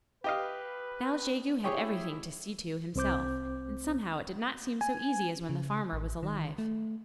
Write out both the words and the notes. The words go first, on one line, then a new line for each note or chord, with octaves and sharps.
Now Jegu had everything to see to himself, and somehow it did not seem so easy as when the farmer was alive.
G4 B4 D#5 F5
A2 E4 G4 G#4 C#5
C2 C4 C5 D6 G6
G#5
C#3
A1
D#3
A3